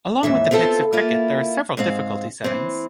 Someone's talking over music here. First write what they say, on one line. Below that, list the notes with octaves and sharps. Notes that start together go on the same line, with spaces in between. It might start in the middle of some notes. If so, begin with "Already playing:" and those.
Along with the types of cricket there are several difficulty settings.
D#2 G#2 E3 E5
B3 C4 F4 A4
A#3 E4 F4
G#2 G#3 C4 F5
E3 C4